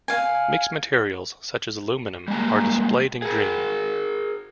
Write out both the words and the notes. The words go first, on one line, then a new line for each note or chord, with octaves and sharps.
Mixed materials such as aluminum are displayed in green.
F5 G#5
G3 G#3 A#3 G#5 A#5
G#4 A#4